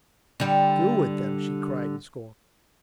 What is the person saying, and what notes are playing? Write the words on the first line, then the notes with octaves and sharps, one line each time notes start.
"Do with them!" she cried in scorn.
D3 G3